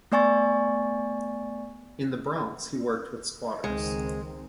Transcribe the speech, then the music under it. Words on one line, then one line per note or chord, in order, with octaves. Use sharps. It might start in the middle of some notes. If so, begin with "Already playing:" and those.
In the Bronx he worked with squatters.
A3 B3 D5 G#5 C#6 A6
C#2 D#3 G#3 C4